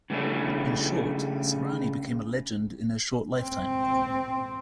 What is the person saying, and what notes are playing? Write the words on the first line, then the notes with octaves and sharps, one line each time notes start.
In short, Sirani became a legend in her short lifetime.
C#3 G3 A3 C#4 D4
C4